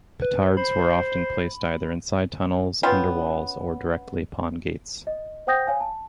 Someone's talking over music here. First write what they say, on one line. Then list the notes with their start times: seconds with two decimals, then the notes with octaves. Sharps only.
Petards were often placed either inside tunnels under walls, or directly upon gates.
0.22 B4
0.57 C5 B5
2.83 B3 C#4 F4 G5
5.07 D#5
5.47 C5 F#5 G5 D#6 G6 A#6
5.67 C#5 F5 G#5
5.81 A5